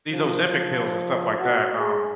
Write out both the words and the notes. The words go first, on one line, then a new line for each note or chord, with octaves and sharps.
these Ozempic pills and stuff like that, um
F3
F#4
G#4